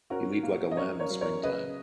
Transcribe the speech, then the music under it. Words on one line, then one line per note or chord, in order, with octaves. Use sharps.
He leaped like a lamb in springtime.
C#4 F#4 A#4
A#3
D#5
C#4 A#4 C#5
A#4 C#5
F#3
A#4 C#5
C#3 B4 D#5